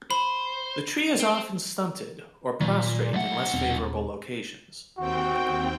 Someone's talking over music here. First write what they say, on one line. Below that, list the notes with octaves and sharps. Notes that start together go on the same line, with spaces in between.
The tree is often stunted or prostrate in less favorable locations.
C5 B5
C4
A#2 D#3 F#3 A#3
B1 F#3 A3 F#5
D#1 B3 C4
D#2 C4 F#4 G5